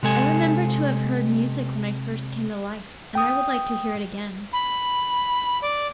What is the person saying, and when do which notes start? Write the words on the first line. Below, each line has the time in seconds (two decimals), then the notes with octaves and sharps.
I remember to have heard music when I first came to life, and I would like to hear it again.
0.03 C3 G#3 A4 G#5
3.15 G5 D#6
4.53 B5
5.62 D5